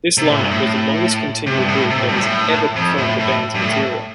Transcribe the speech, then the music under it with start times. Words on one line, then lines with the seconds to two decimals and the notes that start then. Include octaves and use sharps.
This line-up was the longest continual group that has ever performed the band's material.
0.18 C3
0.30 A2
0.41 G2
0.51 A2
1.47 C3
1.58 G2
1.68 A2
1.90 C3
1.99 A2
2.08 G2
2.16 A2
2.76 F2
2.98 A2
3.20 A2
3.55 G2
3.62 A2